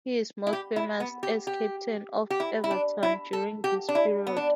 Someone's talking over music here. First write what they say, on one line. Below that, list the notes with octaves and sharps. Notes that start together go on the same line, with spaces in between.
He is most famous as captain of Everton during this period.
E4
G4
E4
B3
G4
G4
G4
E4
E4
D4
E4
A4
G4
D4
E4
B3
D4